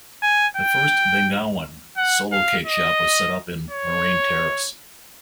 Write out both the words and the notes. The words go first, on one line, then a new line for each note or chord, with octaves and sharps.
The first Bengawan Solo Cake Shop was set up in Marine Terrace.
G#5
G5
F#5
F5
D#5
C#5